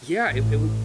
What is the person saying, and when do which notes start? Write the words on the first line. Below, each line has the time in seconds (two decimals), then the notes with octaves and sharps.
Yeah. It it was
0.26 A1 A2